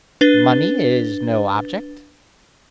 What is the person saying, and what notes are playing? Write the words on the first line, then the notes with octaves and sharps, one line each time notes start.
"Money is no object?"
D4 B4 A6 G7